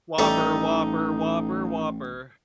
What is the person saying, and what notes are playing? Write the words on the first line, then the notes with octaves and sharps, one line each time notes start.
Whopper, Whopper, Whopper, Whopper.
A1 G3 A3 D#4 A4